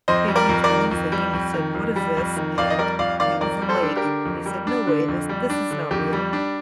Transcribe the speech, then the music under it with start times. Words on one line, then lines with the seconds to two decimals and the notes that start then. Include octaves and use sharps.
big, huge blue thing, and he said, "What is this?" And it was a lake, and he said, "No way, this this is not real,"
0.08 F2 C5 D#5
0.28 G3
0.36 A#4 D5
0.49 F2
0.64 A#4 D5
0.70 D#3
0.91 F2
1.12 G3
1.33 F2
1.54 D#3
1.74 F2
1.96 G3
2.17 F2
2.36 D#3
2.58 F2 D5 F5
2.70 D#5
2.78 G3 A#4 D5
2.99 F2 D5 F5
3.20 D#3 D5 F5
3.41 F2 A#4 D5
3.62 G3
3.69 A4 C5
3.83 D4
3.96 G4 A#4
4.04 D3
4.25 F2
4.46 G3
4.67 D4
4.87 D3
5.08 F2
5.29 G3
5.50 D4
5.71 D3
5.91 F2 G4
6.13 G3
6.33 D4